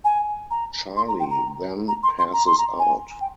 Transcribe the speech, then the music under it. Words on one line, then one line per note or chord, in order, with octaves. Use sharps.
Charlie then passes out.
G#5
A#5
C6
A#5
G5
A#5
A#5
C6
C6
A#5
C6
A#5
G#5
G5